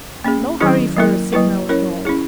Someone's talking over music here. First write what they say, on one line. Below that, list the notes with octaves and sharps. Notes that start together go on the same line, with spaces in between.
No hurry for a signal at all.
A#3 C#4 G#4
D#3 F#3 C#4 E4 G#4
F#3 A#3 E4 A#4
F#3 A#3 E4 B4
C#4 E4 A#4 C#5
C#4 E4 G#4